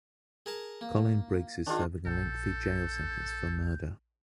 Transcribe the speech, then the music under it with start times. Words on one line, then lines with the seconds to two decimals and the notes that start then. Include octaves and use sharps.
Colin Briggs is serving a lengthy jail sentence for murder.
0.46 G#4 A#4 A5
0.81 A#3
1.67 D#3 D4 F4 G#4
2.06 A#1 A4 G6